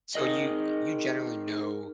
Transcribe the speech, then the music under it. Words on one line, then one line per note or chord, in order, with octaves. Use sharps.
So, you y you generally know
D#4 G#4 A#4 D#5